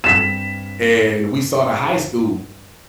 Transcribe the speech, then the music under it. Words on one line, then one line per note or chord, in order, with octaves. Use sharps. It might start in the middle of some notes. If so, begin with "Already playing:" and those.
and we saw the high school,
G2 C4 B6 E7